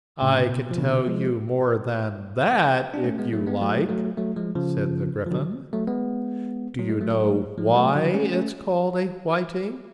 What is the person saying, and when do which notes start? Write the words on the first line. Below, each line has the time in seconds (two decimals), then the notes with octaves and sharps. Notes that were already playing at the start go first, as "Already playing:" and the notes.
'I can tell you more than that, if you like,' said the Gryphon. 'Do you know why it's called a whiting?'
0.21 A2 C#3
0.49 B2
0.71 F3
0.78 B2 D3
1.07 F3 G#3
2.94 D4
3.04 A3 C#4
3.18 G#3 B3
3.33 F#3 A3
3.46 G#3 B3
3.61 F#3 A3
3.89 F#3 A3
4.17 F#3 A3
4.36 F3 G#3
4.55 C#3 F3
5.26 F3
5.31 D3 F#3
5.73 F#3 A3
5.87 G#3 B3
6.79 F#3
6.89 G#3
7.01 F#3 A3
7.58 F3 G#3
7.76 F#3 A3
7.95 D3 F#3
8.14 A3 C#4
8.33 A3 C#4